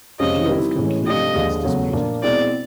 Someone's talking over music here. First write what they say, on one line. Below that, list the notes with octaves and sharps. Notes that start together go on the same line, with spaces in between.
Jeal's conclusion is disputed.
F2 C3 F3 G#3 C#4 D#5
D#3 G3 C4 E4
A2 E3 G#3 C#4
C3 F3 A3 D4 G4 D#5
D#2 D3 F3 G#3
E2 C#3 F#3 A3
A#2 F3 A#3 D4
B2 G#3 C4 E4 D5